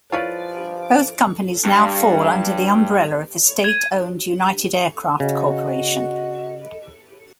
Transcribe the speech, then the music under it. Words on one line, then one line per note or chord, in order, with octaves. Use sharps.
Both companies now fall under the umbrella of the state-owned United Aircraft Corporation.
F3 E4 F4 B4 C#5 D5 F5
G2
G#6 D#7
C#3 F#4 D#5